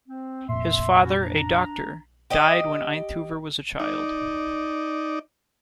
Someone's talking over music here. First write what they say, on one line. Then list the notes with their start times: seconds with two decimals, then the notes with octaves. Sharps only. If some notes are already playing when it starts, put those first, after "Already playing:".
His father, a doctor, died when Einthoven was a child.
0.08 C4
0.49 F1 A#2 E5 C6
1.02 C#4 E4 F#4
1.21 D4 A#5
2.30 G4 D#5
3.79 D#4 D5